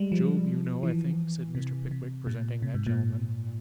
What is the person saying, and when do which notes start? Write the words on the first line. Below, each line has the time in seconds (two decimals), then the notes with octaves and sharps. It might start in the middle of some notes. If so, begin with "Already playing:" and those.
'Job you know, I think?' said Mr. Pickwick, presenting that gentleman.
Already playing: G3 G#3
0.12 F3
0.83 E3
1.55 C3
1.91 C3
2.27 A#2
2.62 C3
2.74 G#2
2.87 A#2